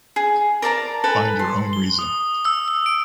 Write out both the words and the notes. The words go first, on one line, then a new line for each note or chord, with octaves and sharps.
Find your own reason.
G#4
A#4 D5 A5 A#5
A4 B4 G#5
C6
G7
D#6
E6
E6
D7